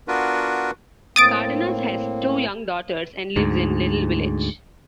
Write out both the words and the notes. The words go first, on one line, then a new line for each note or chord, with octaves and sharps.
Cardenas has two young daughters and lives in Little Village.
B3 D4 F4 F#4 A#4 B4
A2 A#3 C4 D#6 A6 D7
D2 G#2